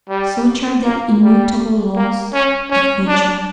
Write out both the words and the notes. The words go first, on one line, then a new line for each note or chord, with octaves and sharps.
Such are the immutable laws of nature.
G3
A#3
G3
A#3
C#4
C#4
D4